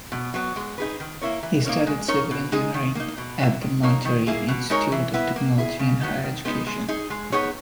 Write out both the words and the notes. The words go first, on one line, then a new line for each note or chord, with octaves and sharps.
He studied civil engineering at the Monterrey Institute of Technology and Higher Education.
B2
F#3 B3
G#3
D#4 G#4 B4
D#3
A#3 E4 A#4 C#5
E3
A#3 D#4 A#4 C#5
G#3
D#4 A#4 C#5
B2
G#3 D#4 G#4
D#3
A#3 D#4
B2
F#3 A#3 E4
D#3
A#3 D#4 A#4 C#5
D#3
A#3 E4 G#4
B2
G#3 D#4 A#4 C#5
E3
B3 E4 B4
A#3
E4 G#4
C#3
F#3 B3 D#4
D#3
G#3 B3 D#4
G#3
D#4 G#4
G#3
B3 D#4 G#4 C#5